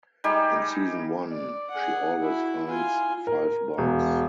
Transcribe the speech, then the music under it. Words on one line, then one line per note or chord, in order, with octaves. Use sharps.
In season one, she always finds "five bucks".
G3 D#4 G4 G#4
D5
G#4 F#5
E4 F#4
F4 G#5
A#4
E1